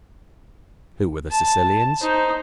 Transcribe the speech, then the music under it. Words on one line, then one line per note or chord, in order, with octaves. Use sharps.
Who were the Sicilians?
A5
D#4 C5